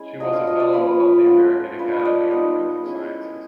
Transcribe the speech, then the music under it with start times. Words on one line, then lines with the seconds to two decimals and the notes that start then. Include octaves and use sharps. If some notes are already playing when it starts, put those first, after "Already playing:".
She was a fellow of the American Academy of Forensic Sciences.
Already playing: G#3 C#4 E4
0.20 F#3 A3 D4 F4 D#5
0.33 F5
0.47 D#5
0.60 D5
0.73 F3 A#3 C#4 F4 B4
1.25 F#3 A3 C#4 F4
1.78 A3 D4 F4 B4
1.99 D#5
2.05 D5
2.31 G3 B3 D#4 D#5
2.84 G#3 C#4 E4